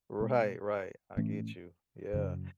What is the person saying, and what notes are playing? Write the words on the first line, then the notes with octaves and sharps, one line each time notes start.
Right, right, I get you, yeah,
B2 G#3 B3
A2 E3 A3 C#4
F#2 C#3 F#3